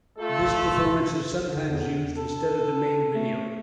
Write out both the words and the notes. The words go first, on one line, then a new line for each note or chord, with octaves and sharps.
This performance is sometimes used instead of the main video.
A3 F4 A4
D3
E2
A4
A3